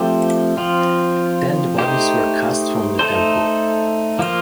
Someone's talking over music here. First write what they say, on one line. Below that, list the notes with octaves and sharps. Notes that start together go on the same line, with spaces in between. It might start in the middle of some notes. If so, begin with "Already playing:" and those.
Then the bodies were cast from the temple.
Already playing: F3 A3 C4 G4
F3 C4 F4
A3 D#4 G4 C5
A3 D#4 A4 C5
F3 A#3 F4